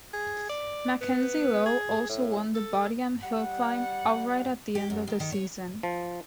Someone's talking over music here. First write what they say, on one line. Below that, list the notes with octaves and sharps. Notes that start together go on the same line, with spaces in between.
Mackenzie-Low also won the Bodiam Hill Climb outright at the end of the season.
G#4
D5
B3
G#4
A2
A4
G3 F#5
G4
F#2
D#3
D#3
C#5
F3